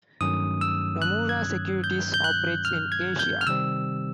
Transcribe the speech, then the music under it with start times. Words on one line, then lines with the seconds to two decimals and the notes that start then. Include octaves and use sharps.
Nomura Securities operates in Asia.
0.21 G2 D#3 F#3 A3 C#4 D#6
0.61 E6
1.02 F#6
1.29 G#6
1.84 G6
2.14 G6
2.24 F#6
2.65 F6
2.92 G#6
3.19 G6
3.41 F6
3.46 C3 D#3 G3 C4 E6